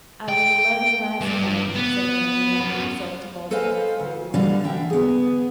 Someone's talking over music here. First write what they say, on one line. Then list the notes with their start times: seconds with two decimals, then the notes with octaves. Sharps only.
"I was eleven last March," said Anne, resigning herself to bald facts with a little sigh.
0.29 G5
1.21 G2
1.75 B3
2.60 F#2
3.51 A4 B4 C5 D#5 F5 G#5
3.99 D2
4.34 D3 E3 G3 C#4 D5 F5
4.64 D3 E5 G5
4.90 B3 G#4